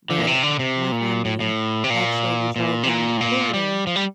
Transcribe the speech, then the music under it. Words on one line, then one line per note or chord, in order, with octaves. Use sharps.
but my family actually drove down to Florida,
D3
A#2
C3
D3
C3
A#2
A2
A2
C3
A#2
A#2
C3
A#2
A2
A#2
G3
F3
G3